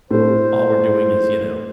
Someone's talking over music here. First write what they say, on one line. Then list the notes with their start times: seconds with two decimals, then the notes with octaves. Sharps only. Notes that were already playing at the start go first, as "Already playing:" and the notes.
All we're doing is, you know,
0.11 A2 A3 C5